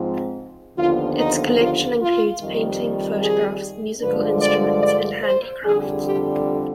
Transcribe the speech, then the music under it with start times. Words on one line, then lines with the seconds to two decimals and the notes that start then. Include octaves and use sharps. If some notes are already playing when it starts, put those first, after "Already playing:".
Its collection includes paintings, photographs, musical instruments and handicrafts.
Already playing: G#2 F3 C4
0.78 D#2 D3 F3 B3 F4
1.19 D#4
1.60 F4
2.00 F4
2.40 F2 D#3 G3
3.20 G#4
4.02 G2 D3 F3 G#3 D4 B4
4.42 D5
4.82 D5
5.24 C5
5.64 F2 D3 G3 G#4
6.04 G4